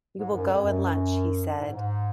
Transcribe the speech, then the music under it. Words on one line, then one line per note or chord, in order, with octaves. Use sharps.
"We will go and lunch," he said.
G#2
F#2
F2
F#2
G#2
G#2